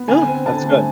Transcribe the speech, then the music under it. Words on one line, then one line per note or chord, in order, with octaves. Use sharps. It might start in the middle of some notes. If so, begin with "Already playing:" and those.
Oh, that's good,
Already playing: B3
D3 G#5
C4
D3 A5
A3